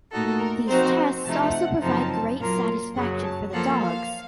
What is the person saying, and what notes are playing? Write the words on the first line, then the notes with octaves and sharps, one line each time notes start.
These tests also provide great satisfaction for the dogs.
A#2 A3 D#4 F#4 A4
A#4
F3 C4 D#4 F#4 C5
C3 F3 A3 D#4 A5
F#5
F#2 C#3 F3 C4 D#4 A5
A#2 F#3 A#3 F4 A#4
F#2 C#3 F#3 F#5
A5
F3 A#3 F4 A4 F#5
F5